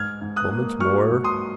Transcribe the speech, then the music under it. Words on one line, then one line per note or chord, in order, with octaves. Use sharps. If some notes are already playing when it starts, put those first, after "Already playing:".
Moment more.
Already playing: G#2 F6 G#6
G#2
D#6 F#6
A#3
F#3 C#6 F6
G#2
C6 D#6